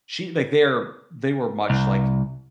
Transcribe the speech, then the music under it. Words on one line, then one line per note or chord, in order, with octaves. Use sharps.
she like, they're they were much, like,
C2